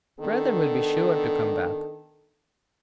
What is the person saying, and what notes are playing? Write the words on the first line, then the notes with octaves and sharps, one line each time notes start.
Brother will be sure to come back.
D#3 B3 D4 A4